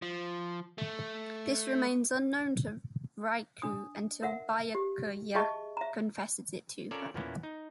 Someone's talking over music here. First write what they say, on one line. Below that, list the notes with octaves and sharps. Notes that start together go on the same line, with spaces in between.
This remains unknown to Rukia until Byakuya confesses it to her.
F3
A3
D4 D#6
A#4 E5 F#5
G4
G#4 D#5 E5 A5 C#6
E5 A#5
C#4 F4 A4 A#4 C#5 D5
E2 A#2 A#3 B3 C#4 E4
D#4